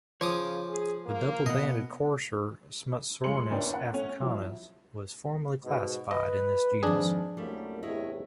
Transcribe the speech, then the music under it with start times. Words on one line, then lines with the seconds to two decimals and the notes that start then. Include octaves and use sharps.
The Double-banded courser, "Smutsornis africanus", was formerly classified in this genus.
0.21 C#3 F3 C#5 D6 D#6
0.69 G#4
1.06 A#3
1.46 B2 B3 D#5
3.24 F2 G#3 C6 C#7 F#7
3.50 F#1 E2 C#4 D4 G5
3.74 F#5
3.92 A3 C#4
4.20 F3 F#3 E4
5.63 G#2 B2
6.11 B4 D#5
6.83 F2 G#2 D#3 F3 D4 G#4
7.37 C2 F#2 G3 A3 A#3
7.83 E2 A2 C3 E4 C#5 D#5